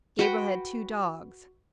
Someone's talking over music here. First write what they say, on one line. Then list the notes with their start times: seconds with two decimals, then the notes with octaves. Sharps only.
Gabriel had two dogs.
0.19 F#4 B4 G5